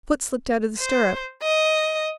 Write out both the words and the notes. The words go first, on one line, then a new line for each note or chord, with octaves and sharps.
"Foot slipped out of the stirrup."
C5
D#5